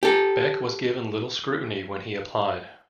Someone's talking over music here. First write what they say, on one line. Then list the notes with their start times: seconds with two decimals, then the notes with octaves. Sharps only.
Beck was given little scrutiny when he applied.
0.03 G4 A4